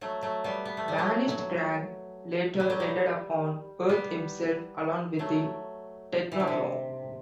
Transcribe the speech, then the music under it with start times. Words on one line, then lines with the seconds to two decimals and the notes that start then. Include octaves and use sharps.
Banished Krang later ended up on Earth himself along with the Technodrome.
0.01 F#3 A3
0.22 F#3 A3
0.44 G3 B3
0.65 B3
0.77 A3
0.88 G3
0.98 F#3 A3
1.30 F#3
2.60 G3
2.70 F#3
2.80 G3
3.89 G3 B3
5.19 F#3 A3
6.32 E3
6.40 D3
6.47 C3